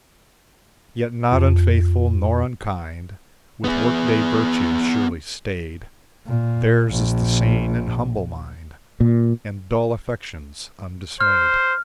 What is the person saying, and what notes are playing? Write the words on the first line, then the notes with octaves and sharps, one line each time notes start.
Yet not unfaithful nor unkind, with work-day virtues surely staid, Theirs is the sane and humble mind, And dull affections undismayed.
F2
B3 G#4
A#2
A#1
A#2
C5 F6